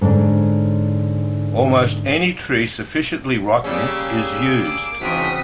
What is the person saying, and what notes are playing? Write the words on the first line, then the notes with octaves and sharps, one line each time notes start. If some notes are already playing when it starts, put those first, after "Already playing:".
Almost any tree sufficiently rotten is used.
G#2 D3 C#4 D4
C#3 G3 A#3 C#4 G#4 E6
D6
E2 G#2 C#3 C4 F#4 D#6 B6